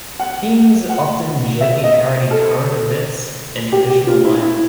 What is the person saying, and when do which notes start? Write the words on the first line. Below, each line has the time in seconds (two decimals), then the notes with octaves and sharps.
Themes often gently parody current events and traditional life.
0.20 F#5
0.90 F#5
1.61 E5
1.84 D#5
2.31 A4
3.72 G4
3.90 G4
4.07 F4
4.25 E4
4.42 E4